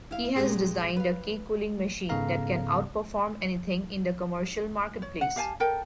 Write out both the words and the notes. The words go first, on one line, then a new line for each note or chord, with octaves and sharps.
He has designed a cake-cooling machine that can outperform anything in the commercial marketplace.
E4 F5
A#2 G#3 A#3 D4 G4 G#4
B4 F5
G#2 C#3 B3 A4 F5 A#5
C#5
F#5
G4 F5 G#5 A5
A4 A#4 G5